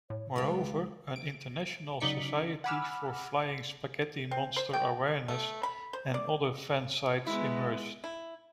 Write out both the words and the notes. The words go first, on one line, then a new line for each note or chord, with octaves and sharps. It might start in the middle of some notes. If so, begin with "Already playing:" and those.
Moreover, an International Society for Flying Spaghetti Monster Awareness and other fan sites emerged.
A2 C#5
C#2 G3 F4 G4 B4
D7
C#3 F#3 D#4 D5 B6 C#7
F#5 G#5 B5 D6 E6 F6
C4
C5
G5
A3
B5
C5
D5
G#3 B3 E4
E4